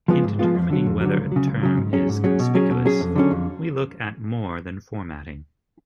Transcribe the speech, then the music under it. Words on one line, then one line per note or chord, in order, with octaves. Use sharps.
In determining whether a term is conspicuous, we look at more than formatting.
F3 G#3 B3 F4
G#2
F3 G#3 B3 F4
F2
D3 F#3
F2
D3 F#3
C#2
C#3 F#3
C#2
C#3 F#3
G#2
F#3 C#4 G#4
G#2
F#3 C#4 G#4
B2
F#3 C#4 G#4
B2
F#3 C#4 G#4
F2
D3 F#3 C#4
F2